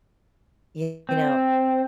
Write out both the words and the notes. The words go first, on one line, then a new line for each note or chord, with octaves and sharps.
you know
C4